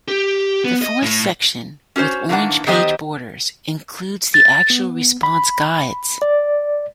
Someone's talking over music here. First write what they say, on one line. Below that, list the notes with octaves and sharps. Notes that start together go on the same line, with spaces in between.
The fourth section, with orange page borders, includes the actual response guides.
G4
B3
D#5
A2
C#4 F#4 G#4 C5 C#5
A2 D#3 E3 A#3 D4 F#5
D#3 F#3 B3 G4 C5 D#5
A6
B3
B5
D5